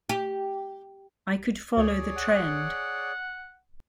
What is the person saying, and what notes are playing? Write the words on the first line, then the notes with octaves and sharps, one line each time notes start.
I could follow the trend.
G4
D2 G#4 C#5 D5
F#5